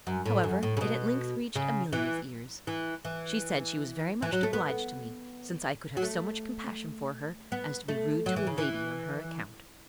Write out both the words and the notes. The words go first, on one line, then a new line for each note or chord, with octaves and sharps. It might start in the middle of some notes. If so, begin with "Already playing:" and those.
However, it at length reached Amelia's ears. She said she was very much obliged to me, since I could have so much compassion for her as to be rude to a lady on her account.
F#2
A2
F#2
A2
C#3
B2
C#3
E3
E3
E3
E3
F#3
A3
B3
F#3
A3
B3
A3
F#3
E3
C#3
E3